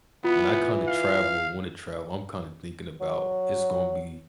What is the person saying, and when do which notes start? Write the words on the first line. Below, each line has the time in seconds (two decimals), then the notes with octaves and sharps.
when I kinda travel or wanna travel, I'm kinda thinking about it's gonna be
0.24 E3 B3 F4
0.88 F5
3.01 F#3